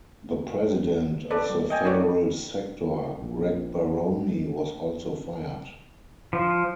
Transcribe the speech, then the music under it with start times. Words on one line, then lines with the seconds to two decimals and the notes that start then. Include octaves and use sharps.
The president of the federal sector, Greg Baroni, was also fired.
1.30 A4 B4 D5
1.50 G3
1.70 D#5 G5 G#5
1.85 D#4 F#4 A#4 B4 C#5 D5
3.20 A#1
6.33 F3